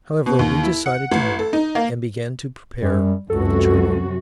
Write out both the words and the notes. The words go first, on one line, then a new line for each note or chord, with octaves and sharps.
However, we decided to move, and began to prepare for the journey.
B2
D#2
E4
F#5
A1
A4
D#4
A#3
F#2 G3
C#2 F#2 C3 F#4 A4